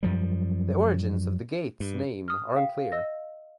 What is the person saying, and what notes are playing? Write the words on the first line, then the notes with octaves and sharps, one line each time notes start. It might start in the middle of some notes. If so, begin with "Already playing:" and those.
The origins of the gate's name are unclear.
F#2 F3 G3
G2
D#6 F6
F5 G5
D#5 E6 A#6